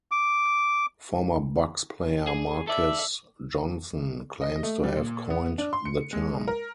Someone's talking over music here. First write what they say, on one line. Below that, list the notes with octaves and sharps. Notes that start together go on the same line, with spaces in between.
Former Bucks player Marques Johnson claims to have coined the term.
D6
G#4
A4 D5 E5
D#5
A3
G3
A#2
B3
D4
C6
C#7
G#3
A#4